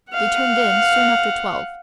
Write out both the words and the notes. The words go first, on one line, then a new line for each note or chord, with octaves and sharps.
They turned in soon after twelve.
F5 F#5